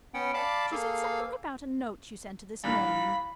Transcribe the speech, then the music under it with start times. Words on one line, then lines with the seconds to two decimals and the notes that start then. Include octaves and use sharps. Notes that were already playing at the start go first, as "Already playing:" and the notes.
She said something about a note you sent her this morning.
0.14 B3 C#4 F#5 G5
0.34 D5 F5 A5 B5 D6
0.72 A#3 G#4 A4 F5
2.64 G2 A#2 E3 F5 B5